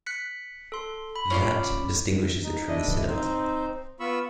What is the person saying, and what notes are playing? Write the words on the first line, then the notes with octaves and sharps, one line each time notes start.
That distinguishes it from the cinema.
F#6 B6 C#7
A4 C6
B5
C#4 F4 D5
D#4
D4 E4 D#5
C4 D#4 C5
B3 F4 B5 C#6 E6